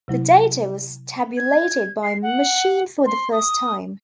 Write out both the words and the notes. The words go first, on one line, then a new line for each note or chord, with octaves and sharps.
The data was tabulated by machine for the first time.
C3 F#3 E4
G#6
C7
F#5
C6
D#6